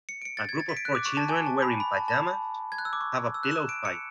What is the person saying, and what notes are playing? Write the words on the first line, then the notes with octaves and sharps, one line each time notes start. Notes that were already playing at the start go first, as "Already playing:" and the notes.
A group of four children wearing pajamas have a pillow fight.
C#7
D7
C#7
A6
G#6
A6
B6
D7
F#6
D6
C#6
A5
G#5
A5
B5
B5
A5
A5
B5
G#6
F#6
E6
D6
C#6
E6
F#6
E7
D7
C#7